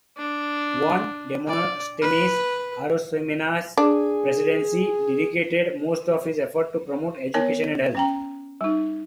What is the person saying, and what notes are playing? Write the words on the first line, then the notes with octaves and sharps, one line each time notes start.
Juan Demostenes Arosemena's Presidency dedicated most of his efforts to promote education and health.
D4
D5
B4
D4 G#4
B3 A#4 C#5 A5
C#4 G5 A#5
G3 D#4